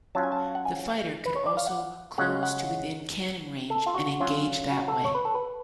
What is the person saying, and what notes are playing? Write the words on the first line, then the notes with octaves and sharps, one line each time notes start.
The fighter could also close to within cannon range and engage that way.
F#3 C#4 F4 A5
G#5
A5
F#5
G#5
B4
C#5
D5
F5
F#5
C#3 G#3 C#4 F4 F#5
F#5
A4
F4
F#4
F#3 C#4 F4
F#4
A4
C#5
B4
A4
B4